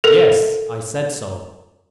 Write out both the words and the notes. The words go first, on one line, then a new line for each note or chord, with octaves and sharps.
"Yes, I said so."
A4 A#4